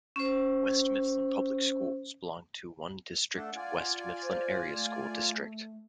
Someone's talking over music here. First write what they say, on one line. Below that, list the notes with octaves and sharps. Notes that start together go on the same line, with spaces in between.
West Mifflin public schools belong to one district-West Mifflin Area School District.
C#4 C5
A3 D4 A4 F#5
F4 D5 G#5
C5
A3